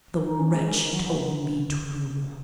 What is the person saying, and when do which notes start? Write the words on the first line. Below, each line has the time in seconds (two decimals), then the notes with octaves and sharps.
The wretch told me true.
0.24 D#4
0.39 C#4
0.54 G#3
0.70 D#3
0.81 D#3
0.93 F#3
1.05 F#3
1.16 D#3